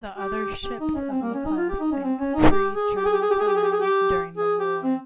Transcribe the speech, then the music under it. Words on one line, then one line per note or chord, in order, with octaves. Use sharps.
The other ships of the class sank three German submarines during the war.
G4
G4
D#4
C#4
C4
A#3
C#4
D#4
F4
G4
D#4
C#4
C4
C#4
D#4
G4
G#4
G4
G#4
G4
G#4
G4
G#4
G4
G#4
G4
G#4
G4
G#4
G4
C4